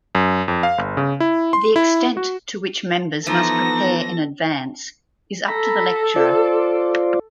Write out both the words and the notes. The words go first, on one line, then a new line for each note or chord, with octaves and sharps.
The extent to which members must prepare in advance is up to the lecturer.
F#2
F2
F5
G1
C#3
E4
C6
E4
F#4
E3 F3 B3 D#4 A4 A#6
A4 A#5 B5
F4 C5 D5